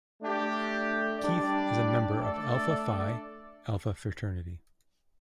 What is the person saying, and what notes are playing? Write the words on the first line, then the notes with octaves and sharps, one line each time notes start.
Keith is a member of Alpha Phi Alpha fraternity.
A3 D4 G4
G3 D4 G4 D5
A3 D4 A4 D5